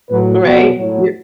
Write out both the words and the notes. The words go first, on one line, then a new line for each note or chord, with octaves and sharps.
Right, y
A2 F#3 B4
B2 F#3 F#4
A2 F#3